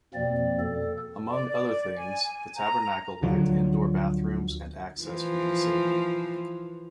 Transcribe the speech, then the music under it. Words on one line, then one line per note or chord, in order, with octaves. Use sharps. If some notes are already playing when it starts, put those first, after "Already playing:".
Among other things, the Tabernacle lacked indoor bathrooms and access for the disabled.
F2 B2 F3 A#3 C4 D5
A4
D5
D5
G#5
A#5
D2 D3 F3 F#3
E3 F3